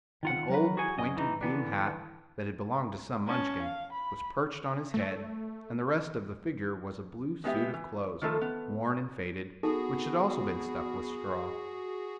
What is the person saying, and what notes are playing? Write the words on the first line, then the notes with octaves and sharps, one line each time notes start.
An old, pointed blue hat, that had belonged to some Munchkin, was perched on his head, and the rest of the figure was a blue suit of clothes, worn and faded, which had also been stuffed with straw.
D#3 F4 F#5
F#3 A#4 B4
F#4 G#4 F#5 G#5
F#2 C#4 D#5
E3 D#4
D3 E3 B3 D4
C#4 A5
F5
B5
A3
G#3 B3 G4 E5
E3
D#3 F3 A3 A4
B3
B3 D#4 F#4 G#4 A4